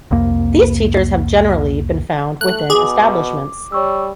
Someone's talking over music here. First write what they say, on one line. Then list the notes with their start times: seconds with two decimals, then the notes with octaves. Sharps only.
These teachers have generally been found within establishments.
0.11 C2 F2 A#3
2.41 A3 F#6
2.70 B2 G#4 D6
3.72 G3 C#5 C#6 E6